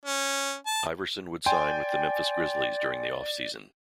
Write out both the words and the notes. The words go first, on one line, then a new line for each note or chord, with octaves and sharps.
Iverson would sign with the Memphis Grizzlies during the offseason.
C#4
A5
D5 G5 G#5 C6